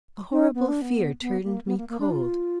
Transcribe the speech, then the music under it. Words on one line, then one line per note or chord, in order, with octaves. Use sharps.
A horrible fear turned me cold.
D#4
B3
D4
B3
B3
A#3
B3
A#3
A#3
D4
F4